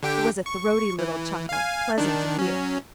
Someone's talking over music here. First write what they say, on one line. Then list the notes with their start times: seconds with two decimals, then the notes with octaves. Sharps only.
It was a throaty little chuckle, pleasant to hear.
0.03 D3 G4 G5
0.46 C#6
0.99 E3
1.49 F5 G#5
1.98 D#3 D4
2.39 F#3 C#4